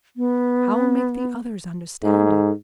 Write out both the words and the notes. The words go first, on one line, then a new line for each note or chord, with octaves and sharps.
How make the others understand it?
B3
G#2 A4